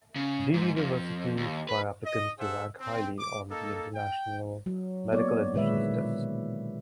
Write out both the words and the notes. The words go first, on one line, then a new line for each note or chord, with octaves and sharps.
These universities require applicants to rank highly on the International Medical Admissions Test.
C#3
G#2
F2
D#2
B4
D#5
G#4 A4 C5 E5 F#5
C4
D6
A#3 D#4 A4
G5
F#3
A#3 B3 C#5 D5
A#2 D3 D#3 G#3 B4 E5
B2